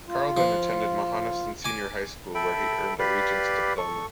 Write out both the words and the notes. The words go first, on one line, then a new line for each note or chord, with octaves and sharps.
Carl then attended Mohonasen Senior High School where he earned a Regents diploma.
F4
F3
G#5 D6
A4 E5 G5 B5
G4 B4 D5 F5 B5
A4 C#6